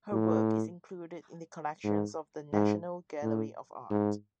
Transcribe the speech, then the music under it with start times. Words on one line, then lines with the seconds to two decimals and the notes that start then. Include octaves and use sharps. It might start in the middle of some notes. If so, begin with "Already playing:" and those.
Her work is included in the collections of the National Gallery of Art.
0.11 A2
1.84 G#2
2.52 G#2
3.22 A2
3.90 G#2